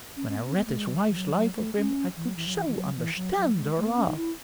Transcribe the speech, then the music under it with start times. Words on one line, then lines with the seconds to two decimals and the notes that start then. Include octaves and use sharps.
When I read his wife's life of him I could so understand her love!
0.16 C#4
0.29 C#4
0.36 B3
0.48 C#4
0.56 B3
0.67 A3
0.76 G#3
0.86 F#3
1.10 E3
1.16 F#3
1.36 F#3
1.56 A3
1.76 C#4
2.16 E3
2.26 F#3
2.36 E3
2.46 F#3
2.56 E3
2.68 E3
2.76 F#3
2.96 E3
3.16 F#3
3.37 F#3
3.56 G#3
3.76 A3
3.86 B3
3.96 C#4
4.07 D#4
4.16 E4